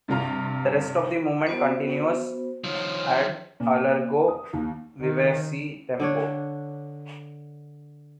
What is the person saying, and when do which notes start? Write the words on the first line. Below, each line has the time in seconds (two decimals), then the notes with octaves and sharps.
The rest of the movement continues at allegro vivace tempo.
0.08 G2 C3 F4 A#5
1.47 B3 F#4 C5
2.64 D#3 F3 C#5
3.60 A#2
4.28 D#6
4.53 D#2
5.01 D#3
6.00 D3 D4 C#5